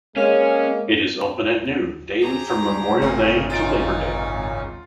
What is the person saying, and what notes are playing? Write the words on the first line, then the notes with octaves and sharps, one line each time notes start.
It is open at noon daily from Memorial Day to Labor Day.
G#3 A#3 C#4
G4 G#4 A#5
G#1 F#2 A#2 C#3 A3 A#3 C4
G#1 D#4 F4 A6 D7